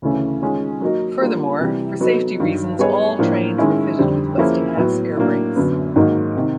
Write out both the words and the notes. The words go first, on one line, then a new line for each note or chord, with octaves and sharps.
Furthermore, for safety reasons all trains are fitted with Westinghouse air brakes.
D2 C#3 E3 A3 C#4
D#3 G#3 C#4 F4
F#3 A#3 D#4 F#4 A#4
G3 A#3 D4 F4
C3 E3 G3
F#3 B3 D#4 F#4 A4
G2 D#3 F#3
G3 B3 D#4 G#4 C#5
A2 F3 A#3 D4
D#3 G#3 C#4 E4
F2 D3 G3 C4
F3 A#3 C#4 E4 G#4
A2 F#3 B3
A2 F#3 A#3 D4
F#2 D3 F#3 B3
G#2 D#3 F#3 A#3 D#4
C3 D#3